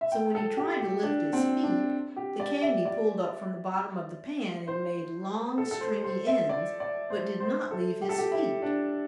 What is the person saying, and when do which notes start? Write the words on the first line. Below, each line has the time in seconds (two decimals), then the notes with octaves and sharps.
So when he tried to lift his feet, the candy pulled up from the bottom of the pan and made long, stringy ends, but did not leave his feet.
0.01 E5
0.12 G5
0.35 A4
0.57 G4
0.80 G4
1.03 D4
1.33 C4
1.64 D4
2.16 G4
2.40 D5
2.62 E5
2.85 D5
4.68 C5
5.58 A4
5.71 A4
5.81 C5
6.04 C5
6.27 E5
6.49 D5
6.80 D5
7.10 C5
7.40 C5
7.71 A4
8.01 G4
8.09 A4
8.18 G4
8.32 E4
8.62 D4